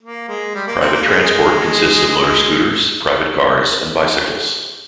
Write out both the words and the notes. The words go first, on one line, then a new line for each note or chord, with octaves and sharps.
Private transport consists of motor scooters, private cars, and bicycles.
A#3
G#3
G3
A#3
C4
A#3
G#3
G#3